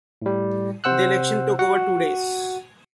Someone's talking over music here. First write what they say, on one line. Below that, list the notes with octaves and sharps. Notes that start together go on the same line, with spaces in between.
The election took over two days.
A2 G3
C3 C5 F#5 E6 F#6
F#4 F#5